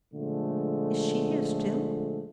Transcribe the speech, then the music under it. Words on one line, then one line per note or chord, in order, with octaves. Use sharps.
Is she here still?
A#2 D3 F3 G#3 A3